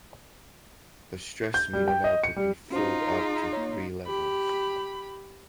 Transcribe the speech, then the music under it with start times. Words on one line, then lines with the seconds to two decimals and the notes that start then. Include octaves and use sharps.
The Stress meter now could be filled up to three levels.
1.54 G6
1.73 G3
1.88 G5
2.04 D#5
2.24 C#7
2.36 G3
2.71 C#4 D#4 F4 F#4 C5
3.08 G#4 A#5
3.53 A#3 C#5
4.07 G4 B5